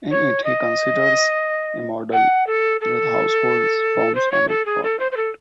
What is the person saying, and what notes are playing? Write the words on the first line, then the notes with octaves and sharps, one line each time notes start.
In it he considers a model with households, firms and a government.
C#5
D#5
F#5
A4
A4
C5
C#5
A4
G#4
A4
C5
C5
A4